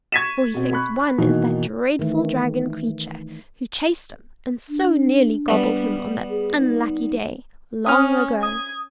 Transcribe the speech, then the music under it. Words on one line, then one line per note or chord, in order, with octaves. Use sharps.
For he thinks one is that dreadful dragon-creature who chased him and so nearly gobbled him on that unlucky day, long ago.
C#6 G#6 A6 B6 D#7 E7
B2 C4
B5 C#6 F#6
B2 D#3 E3 A#3 D#4
D#3 E3 A3
D4
G3 B3
G#4
D#4
C#4 D#6 F6
D#6 G#6